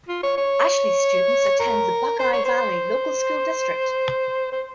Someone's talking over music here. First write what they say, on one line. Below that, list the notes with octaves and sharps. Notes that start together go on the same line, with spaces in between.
Ashley students attend the Buckeye Valley Local School District.
F4
C#5
C#5
A#4
C5
C#5
C5
C5